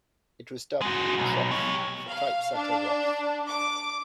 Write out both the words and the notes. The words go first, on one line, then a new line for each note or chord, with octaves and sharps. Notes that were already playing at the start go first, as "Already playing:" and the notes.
It was dubbed "troff", for "typesetter roff".
G#3 F#4
B1
G4 C#5
F5
D4
D6